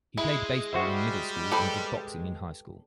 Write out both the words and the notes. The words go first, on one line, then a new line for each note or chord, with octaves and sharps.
He played baseball in middle school and did boxing in high school.
G#3 E4
G3 F#4 C5 E5
G4 A4 B4 C5